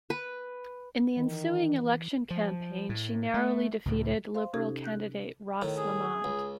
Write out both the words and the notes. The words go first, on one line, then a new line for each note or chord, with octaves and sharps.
In the ensuing election campaign, she narrowly defeated Liberal candidate Ross Lamont.
B4
D#3 E3
F3
A2
A3
C#2 A2
C5 F5 C6
C3 C#4 D#4 G4 A4 G#6
F#6 G6
A2 D#3
G#4
C#2